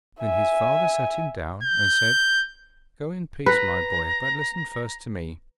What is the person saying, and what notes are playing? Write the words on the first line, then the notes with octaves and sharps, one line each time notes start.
Then his father sat him down and said, 'Go in peace, my boy, but listen first to me.
E5 G#5
G6
B4 A#5